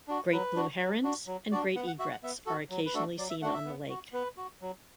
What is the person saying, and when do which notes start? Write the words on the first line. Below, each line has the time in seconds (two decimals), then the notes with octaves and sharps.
Great blue herons and great egrets are occasionally seen on the lake.
0.08 D4 F#4
0.33 F#3 B4
0.56 D4 F#4
0.80 F#3
1.04 D4 F#4
1.27 F#3
1.52 D4 F#4 D5
1.75 B3 F#5
1.87 F#5
1.99 F#4 E5
2.11 F#5
2.23 B3 E5
2.46 F#4 A4
2.70 F#3
2.86 B4
2.94 A3 D4 F#4 A4
3.18 F#3 D5
3.30 E5
3.41 A3 D4 F#4 F#5
3.54 E5
3.65 B3
3.89 F#4
4.13 B3 B4
4.37 F#4
4.62 F#3